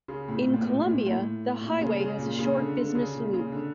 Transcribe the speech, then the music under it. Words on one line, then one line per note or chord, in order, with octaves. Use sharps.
In Columbia, the highway has a short business loop.
C#3
A2
A#2
A2
A#2
A2
A#2
A2
A#2
C#3
C#3
A#2
C#3
D3
D3
C#3
A#2
C#3
D3